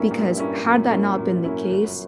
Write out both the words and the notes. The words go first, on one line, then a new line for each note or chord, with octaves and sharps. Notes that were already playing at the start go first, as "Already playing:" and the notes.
Because had that not been the case,
Already playing: G2 A#3 C#4 E4
A#2
A#3 C#4 E4
F#2 A#2
A#3 C#4 E4
F#2 A#2
A#3 C#4 E4
G1 F#2